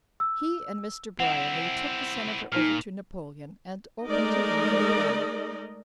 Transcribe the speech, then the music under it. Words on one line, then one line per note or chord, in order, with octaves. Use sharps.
He and Mr. Brierly took the Senator over to Napoleon and opened to him their plan.
E6
C4 E4 F#5 F7
A#2 D#4 F6
G#3 A3 D#4 A#4 D5 D#5